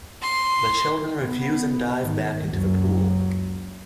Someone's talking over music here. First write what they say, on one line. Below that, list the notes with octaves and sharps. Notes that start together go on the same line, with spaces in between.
The children refuse and dive back in to the pool.
C6
B3
G#2 D#3
F#1 C#2 F#2 F#3